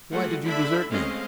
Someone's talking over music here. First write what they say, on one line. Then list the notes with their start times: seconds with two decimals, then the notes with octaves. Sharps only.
Why did you desert me?
0.11 G3 A3 F4 F#4 G#4 F#5
0.44 D3 D4 E4 E5 B5
0.90 G#3 A3 C4 C#4 D#5 F5